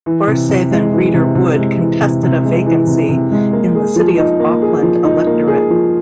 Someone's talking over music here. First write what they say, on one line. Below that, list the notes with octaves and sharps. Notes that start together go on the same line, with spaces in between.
Forsaith and Reader Wood contested a vacancy in the City of Auckland electorate.
E3
C3
C3
G#3
E3
C3
C3
G#3
E3
C3
C3
G#3
E3
C3
C3
G#3
A#3
G#4
F3
D#4
A#3
G#4
F3
D#4
A#3
G#4
F3